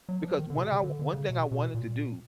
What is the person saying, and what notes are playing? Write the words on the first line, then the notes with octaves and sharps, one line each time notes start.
because one I one thing I wanted to do
F#3
F3
D#3
D3
B2
C3
C#3
D3
D3
C#3
B2
B2
A#2